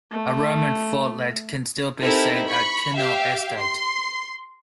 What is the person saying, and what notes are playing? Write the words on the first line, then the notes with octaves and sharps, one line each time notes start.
A Roman fortlet can still be seen at Kinneil Estate.
A3
C4 D#4 E4 G4 A4 A#4
B5 C#6
G4 E5 F5
C6